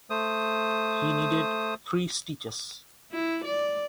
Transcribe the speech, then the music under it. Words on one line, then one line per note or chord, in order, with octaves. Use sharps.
He needed three stitches.
A3 C5 D#6
E4
D5